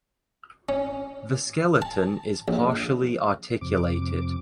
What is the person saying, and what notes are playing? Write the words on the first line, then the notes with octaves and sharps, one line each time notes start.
The skeleton is partially articulated.
C#4
A5
A#1
F2 C3 D6